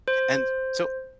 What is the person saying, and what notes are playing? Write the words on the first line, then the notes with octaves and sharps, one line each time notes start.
And so
C5